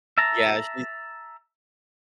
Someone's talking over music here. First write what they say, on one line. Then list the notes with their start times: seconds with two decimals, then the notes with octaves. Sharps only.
yeah, she
0.18 E5 A5 A#5